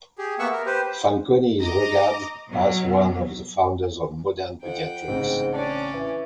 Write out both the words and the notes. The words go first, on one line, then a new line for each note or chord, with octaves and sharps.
Fanconi is regarded as one of the founders of modern pediatrics.
G4 G#4
A#3 B3 E5 F#5 C#6 E6
A#4
G4 B4 C5
D#5 A#5 D6
B2 F#3
F2 F#5 G5
A1 G#2 C#3 C4
C#4 D4 D5
E3